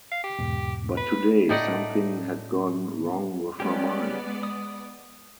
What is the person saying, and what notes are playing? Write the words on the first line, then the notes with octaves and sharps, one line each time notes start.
But today something had gone wrong with her mind.
F5
G4
E2 G#2 B2
B4
A2 D#4 D5 F#5
G3 G#3 B3 C#4 G4 D5
D#6